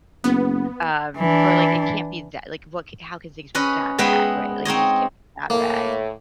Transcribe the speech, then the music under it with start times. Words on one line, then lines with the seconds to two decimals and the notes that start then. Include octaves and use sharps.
Um, or like, it can't be that like, what how can things be that bad? Right? Like, things can't be that bad.
0.24 F#1 B3
1.18 E3 D4
3.55 C#4 B4 D#5
3.98 G#3 B3 B4 D#5 E5 G5
4.65 C4 D#4 C#5 D#5
5.50 A2 A#3